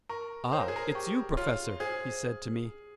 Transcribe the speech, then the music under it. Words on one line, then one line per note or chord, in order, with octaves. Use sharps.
"Ah, it's you, professor!" he said to me.
A#4 C#6
C5 C#5
A#4
G#4
A#4
G4 C#6
F4 C#5
G#4 C5